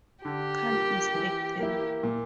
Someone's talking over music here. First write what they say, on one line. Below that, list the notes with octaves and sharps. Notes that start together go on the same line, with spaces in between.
Can't mistake them.
D3 G4
G3 A#3 F4
E3
A#3 E4
A#2